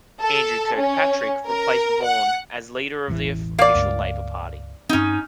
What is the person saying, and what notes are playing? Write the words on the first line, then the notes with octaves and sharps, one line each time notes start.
Andrew Kirkpatrick replaced Vaughan as leader of the official Labor Party.
A4
C#4
A#4
F#5
E1 A1 E3
A#3 D5 F5
C#2 G2
G2 C4 C#4 D#4